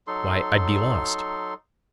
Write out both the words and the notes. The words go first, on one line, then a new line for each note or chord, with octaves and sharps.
Why, I'd be lost.
F#3 D#4 A4 C6